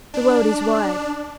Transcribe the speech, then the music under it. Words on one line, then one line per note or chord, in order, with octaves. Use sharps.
The world is wide.
D4